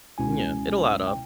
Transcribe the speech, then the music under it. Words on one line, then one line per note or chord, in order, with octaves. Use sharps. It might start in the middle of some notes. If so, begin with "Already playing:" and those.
Yeah, it'll add up.
C#2 B2 G#3 C#4 E4 G#5
G5